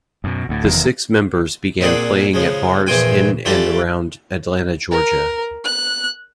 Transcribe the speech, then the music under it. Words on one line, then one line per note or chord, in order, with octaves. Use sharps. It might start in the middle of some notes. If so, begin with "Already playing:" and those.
The six members began playing at bars in and around Atlanta, Georgia.
F#2 B2
D2 A2
F1 E2 D#3
A#2 A#3 C4 D4 G#4 F#5
C#3 F3 G#3
A#1 E2 E3 C5 G5 G#5
E3 A3 F4 G4 D5
A#4
F#6